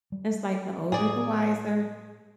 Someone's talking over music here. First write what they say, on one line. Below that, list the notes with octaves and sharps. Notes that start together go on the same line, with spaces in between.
It's like the older, the wiser,
G3
A2 G#4 D5